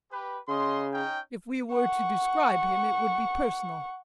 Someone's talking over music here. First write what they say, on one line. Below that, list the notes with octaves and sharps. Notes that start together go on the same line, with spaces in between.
If we were to describe him it would be personal.
G4 B4
C#3 D#5 C6
C#4 D#4 G5
F#5 C#6